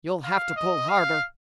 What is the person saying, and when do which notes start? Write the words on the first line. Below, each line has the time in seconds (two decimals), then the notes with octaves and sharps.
"You'll have to pull harder."
0.24 F5
0.56 D#5
0.89 F5